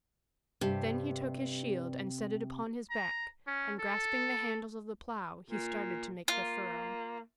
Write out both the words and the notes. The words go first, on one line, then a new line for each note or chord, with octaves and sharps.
Then he took his shield and set it upon his back, and grasping the handles of the plow he started to make the furrow.
G2 C3 G4 A5
A#5
C#4
A4
A#2
A#3 F4